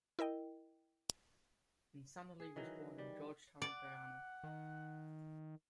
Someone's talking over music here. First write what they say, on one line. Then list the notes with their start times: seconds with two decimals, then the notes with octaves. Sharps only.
Insanally was born in Georgetown, Guyana.
0.19 E4 A#4 D#5 G5
2.40 G#4
2.56 D#3 E3 F#3
2.98 G3
3.62 D5 F#5
4.43 D#3